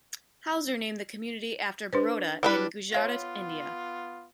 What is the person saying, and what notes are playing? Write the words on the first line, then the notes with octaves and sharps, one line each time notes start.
Houser named the community after Baroda in Gujarat, India.
D4 B4 C5
G3 D4 E4 B4
B3 F4 C#5 F5 A#6